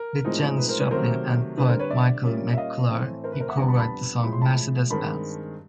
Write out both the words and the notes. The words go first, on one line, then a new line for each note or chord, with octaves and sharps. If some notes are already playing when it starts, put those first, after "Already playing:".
With Janis Joplin and poet Michael McClure, he co-wrote the song "Mercedes Benz".
Already playing: A#4
A2 F3 G#3 C4 D#4
B4
A#4 C5
B4 C#5
C3 D#3 F#3 A3 A#4 C5
D3 G3 C4 B4
A#4 C5
B4 C#5
D5 E5
A#2 G3 A#3 C#4
E5
D#5 F5
A2 E3 A3 C4
A#4 C5
B4
A#4 C5
E5 F#5
F2 D3 G3 B3 G#5 A#5
A5 B5
A5 B5
A2 F3 G#3 B5
C6
A5 B5
G2 D#3 G#3 C4 A5 B5